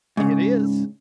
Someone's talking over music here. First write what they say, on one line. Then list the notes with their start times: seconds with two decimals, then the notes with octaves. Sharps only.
"It is."
0.17 G#2 C#3